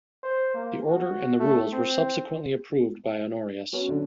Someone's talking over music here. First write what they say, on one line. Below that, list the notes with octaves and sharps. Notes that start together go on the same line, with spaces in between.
The order and the rules were subsequently approved by Honorius.
C5
A#3
F#4
A3
C4
F#3 B3 C#4
D3